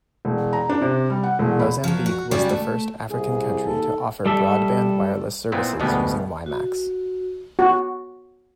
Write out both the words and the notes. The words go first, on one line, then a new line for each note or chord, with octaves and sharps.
Mozambique was the first African country to offer broadband wireless services using WiMax.
E1
A#5
D4
C3
G3
F#5
E1
B5
F3 F#3
F#4
C#3 G3 F#4 G4 D5
A3
C2 G#4
D#2 A4
G3 A4 E5
A#2 B3 C4 E4
D2 B2 G3 G#3 B3
F#4
F#4